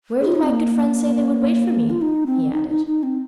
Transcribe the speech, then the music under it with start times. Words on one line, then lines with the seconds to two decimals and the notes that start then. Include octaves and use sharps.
"Where did my good friends say they would wait for me?" he added.
0.21 G#4
0.27 F4
0.35 D#4
0.43 C4
0.50 A#3
0.75 A#3
1.90 F4
2.02 D#4
2.27 C4
2.53 D#4
2.69 D#4
2.86 D#4
3.03 C4